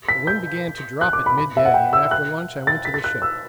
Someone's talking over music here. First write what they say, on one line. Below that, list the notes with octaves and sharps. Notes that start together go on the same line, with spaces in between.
The wind began to drop at midday, and after lunch I went to the ship.
B6
G6
F#6
D6
B5
B5
E5
F#5
G5
E6
F#6
A6
B6
A6
F#6
E6